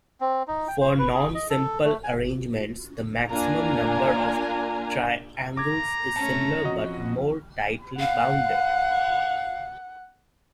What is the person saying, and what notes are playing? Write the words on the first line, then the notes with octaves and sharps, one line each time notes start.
For non-simple arrangements the maximum number of triangles is similar but more tightly bounded.
C4
D#4
G5
C5
B4
G#4
D#5
A4
A3
G#5
A#3 D4 F4 G#5 A#5
A#5 D6 G#6
A3 C#4 A5
F2 F#4 D#5
F5 F#5